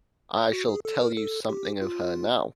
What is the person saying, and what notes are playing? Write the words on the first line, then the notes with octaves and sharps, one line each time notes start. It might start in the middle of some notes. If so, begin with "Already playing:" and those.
I shall tell you something of her now.
F#4
G#4
A4
A#4
A4
G4
F4